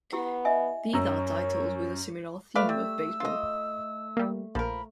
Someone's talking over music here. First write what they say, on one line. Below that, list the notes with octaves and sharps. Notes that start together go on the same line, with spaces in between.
These are titles with a similar theme of baseball.
B3 E4 G4
D#5 E5 G#5
F#2 C#5 A#5 E6
A3 B4 D5 E5 F5
G3 E6
F4 D#5
G3 A#3
A#1 F3 A#4 B5